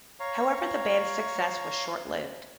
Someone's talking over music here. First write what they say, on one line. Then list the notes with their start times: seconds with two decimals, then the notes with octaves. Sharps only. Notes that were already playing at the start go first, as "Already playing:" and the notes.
However, the band's success was short-lived.
0.20 C#5 F5 A#5 C#6